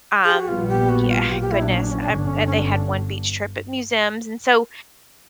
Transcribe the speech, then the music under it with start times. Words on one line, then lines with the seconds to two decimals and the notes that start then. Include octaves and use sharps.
um, yeah Goodness, um, um, they had one beach trip at museums and so
0.24 G#4
0.32 G4
0.40 F#4
0.47 A#1 A#2 G3 B3 F4
0.68 G4
0.89 F#4
1.10 F4
1.30 A#1 A#2 F#3 G4
1.41 G4
1.51 E4
1.62 D4
1.72 C#4
1.81 D4
1.91 C#4
2.00 D4
2.09 C#4
2.14 G1 G2 D3 D4
2.27 C#4
2.37 D4
2.46 C#4
2.55 D4
2.65 C#4
2.73 D4